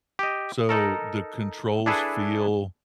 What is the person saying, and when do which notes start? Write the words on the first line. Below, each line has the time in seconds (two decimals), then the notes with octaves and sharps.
so the controls feel
0.19 G4 D#5
0.69 D#4 A4 A#4
1.86 D4 E4 G#4 A4 B4